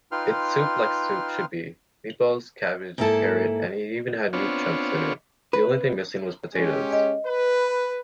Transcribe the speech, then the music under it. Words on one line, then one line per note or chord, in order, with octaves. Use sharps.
It’s soup like soup should be, meatballs, cabbage, carrot and it even had meat chunks in it, the only thing missing was potatoes.
D#4 F4 B4 G5 C6 F6
G#2 A#3 C4 E4 A4 A5
B3 C4 D4 F4 C#5
B4
G#3 C#4 G4
D#5
B4